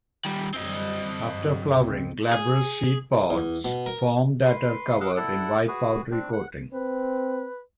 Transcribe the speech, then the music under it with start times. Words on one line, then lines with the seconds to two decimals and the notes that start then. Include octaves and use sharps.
After flowering glabrous seed pods form that are covered in white powdery coating.
0.25 D#3 G3
0.54 F#2 D3 G3 C4 D#5
1.27 G2 F#3
1.72 D2 G#2 C#3
2.32 G#4
3.30 E2
3.65 B2
3.86 A#4
4.45 B4 C6
5.01 D#5 F5 F#5 E6
5.17 E4 A4 D5 F#5
5.68 F#4 G#4 B4
6.11 C4 D4
6.33 F#5
6.73 C4 B4